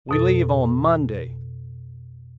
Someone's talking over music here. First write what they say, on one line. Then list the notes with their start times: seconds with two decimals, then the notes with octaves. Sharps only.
"We leave on Monday."
0.09 F2 B2 A4